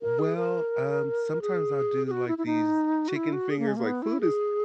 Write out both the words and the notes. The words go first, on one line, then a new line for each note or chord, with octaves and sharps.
Well, um, sometimes I'll do like these chicken fingers, like, food is
A#4
G#4
A#4
G#4
G#4
F#4
E4
E4
D#4
F#4
E4
F#4
G#4
A#3
G#3
A#3
B3
E4
G#4